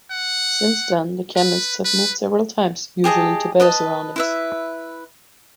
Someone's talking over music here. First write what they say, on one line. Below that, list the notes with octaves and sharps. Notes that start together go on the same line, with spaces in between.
Since then, the chemists have moved several times, usually to better surroundings.
F#5
B4
B4
G4 G#4 D#5 A5
B4 D#5 A5
E4 B4 E5